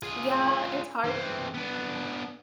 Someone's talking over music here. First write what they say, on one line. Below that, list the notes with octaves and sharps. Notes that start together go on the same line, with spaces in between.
Yeah, it's hard each year
F4 G#4
E3 C4
B3 D4